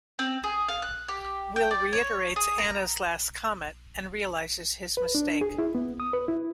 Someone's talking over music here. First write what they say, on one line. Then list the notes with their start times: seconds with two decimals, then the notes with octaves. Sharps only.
Will reiterates Anna's last comment and realizes his mistake.
0.19 C4
0.44 G#4
0.68 F5
0.82 F#6
1.08 G4
1.56 G5
1.71 D5
1.93 C#5
2.36 G#4
2.58 A#5
4.97 B4
5.15 D4
5.41 G#4
5.58 E4
5.75 B3
6.00 D#6
6.13 B4
6.28 E4